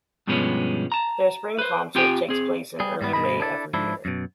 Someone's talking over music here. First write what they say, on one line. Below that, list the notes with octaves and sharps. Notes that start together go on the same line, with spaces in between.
Their spring concert takes place in early May every year.
G2 B2 F3 G#3 B3 C#4
A5 A#5
B4 C5
C4 F4 G4 G5 G#5
C4 G#4
G3 G#4
G#2 G3 B3
G2 B2 G#4 D#5 B5
D4 E4 G#4 A4
G#2 F3 D4 E4
F#2 B2